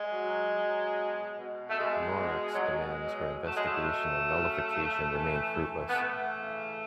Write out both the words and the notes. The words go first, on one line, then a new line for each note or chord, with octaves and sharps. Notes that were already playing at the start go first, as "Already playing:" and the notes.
Norex' demands for investigation and nullification remained fruitless.
Already playing: G#3
F#3
F#3
B2
B2
A3
B2 G#3
B2
F#3
B2 G#3
F#3
F#3 A3
G#3
A3
F#3
C#3
C#3
E3
E3
B3
E3 A3
C#3